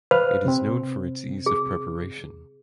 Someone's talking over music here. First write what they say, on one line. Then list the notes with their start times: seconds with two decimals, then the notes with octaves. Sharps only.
It is known for its ease of preparation.
0.11 B4 C5 F5 F6
0.45 C3 C4
1.46 G#4